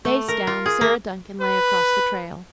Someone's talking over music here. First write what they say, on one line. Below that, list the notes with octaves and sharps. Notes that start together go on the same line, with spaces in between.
Face down, Sarah Duncan lay across the trail.
A3
A#4
F4
G#4
A#3
B4